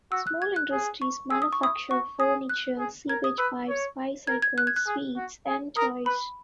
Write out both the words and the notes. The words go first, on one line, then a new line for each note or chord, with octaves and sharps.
Small industries manufacture furniture, sewage pipes, bicycles, sweets and toys.
F#4 E6
F#6
G#6
F#6
G#4
C#6
G#4 E6
D#6
C#6
E4 D#6
F#4 C#6
G#4 D#6
F#6
G#4
A#4 G#6
D#6
B4 E6
C#5
A#4 G#6
G#6
F#6
G#6
F#6
G#4
F#4
G#4
A#4 D#6
B4 B5